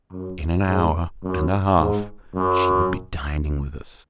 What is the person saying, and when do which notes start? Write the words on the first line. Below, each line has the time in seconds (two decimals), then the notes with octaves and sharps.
In an hour and a half she would be dining with us.
0.11 F#2
0.67 G#2
1.23 F#2
1.78 G#2
2.35 F#2